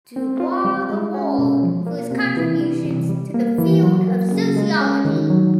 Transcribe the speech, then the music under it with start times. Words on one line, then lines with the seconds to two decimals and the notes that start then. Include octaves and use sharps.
Du Bois Award for his contributions to the field of sociology.
0.16 C4
0.40 F4
0.65 G3
0.90 G#3
1.14 C#4
1.38 B2
1.63 F3
1.87 A#3
2.11 C3
2.37 E3
2.61 G3
2.85 C3
3.09 G3
3.34 A#3
3.58 E3
3.83 F#3
4.08 A#3
4.32 C#3
4.56 G#3
4.81 C#4
5.05 D#3
5.30 F#3